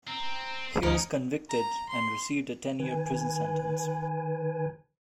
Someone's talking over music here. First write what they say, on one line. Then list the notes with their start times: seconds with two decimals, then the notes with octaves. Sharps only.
He was convicted, and received a ten-year prison sentence.
0.08 C4 A#5
0.83 D2 C#4 D#4 A#4 C5
1.50 A#5
1.89 C6
2.80 D#3 B4 G#5